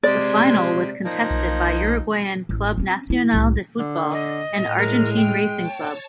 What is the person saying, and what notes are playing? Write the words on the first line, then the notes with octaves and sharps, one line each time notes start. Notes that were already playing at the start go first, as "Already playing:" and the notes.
The final was contested by Uruguayan Club Nacional de Football and Argentine Racing Club.
C3 G#3 D5
F3 A#3 D#4
B1
A1
C4 C#4
E4
C2 A2
D3
D#5
A2 F6
G#3 A#4
G5
C#5 A5